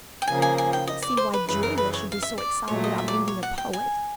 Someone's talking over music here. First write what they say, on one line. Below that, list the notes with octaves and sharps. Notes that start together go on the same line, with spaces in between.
I don't see why Julia should be so excited about meeting a poet.
G5
C#3 F3 A#3 G#5
G#5
G#5
G5
D#5
D5
C5
B4
F#2 C#3 E3 B4
A#4
B4
C#5
F5
E5
D5
A#2 F#3 A3 C#5
D#5
E5
D5
C#5
F#5
G5
G#5